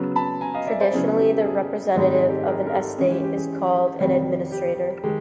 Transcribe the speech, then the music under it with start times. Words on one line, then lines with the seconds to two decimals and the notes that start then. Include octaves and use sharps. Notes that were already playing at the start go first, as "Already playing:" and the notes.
Traditionally, the representative of an estate is called an "administrator".
Already playing: C#3 F#3 B3
0.16 A5 B5
0.41 G#5 A#5
0.54 D#5 F5
0.67 D5 E5
0.80 C5 D5
0.93 C#3 F#3 B3 E4 G#4
1.19 G4
1.37 A4
1.44 G#4
1.95 G#2 D#3 G3 C4 D#4 G#4
2.13 G#4
2.29 G4 A4
2.47 G#4 A#4
2.67 A#4
2.72 G4 A4
2.98 E3 G#3 C#4 G#4
3.11 G4
3.24 G4
3.36 G#4
4.00 F2 C3 D#3 G3
4.52 G4
5.04 D#3 G#3 G4